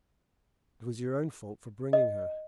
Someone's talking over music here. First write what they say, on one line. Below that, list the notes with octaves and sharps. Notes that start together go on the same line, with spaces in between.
It was your own fault for bringing her.
D#5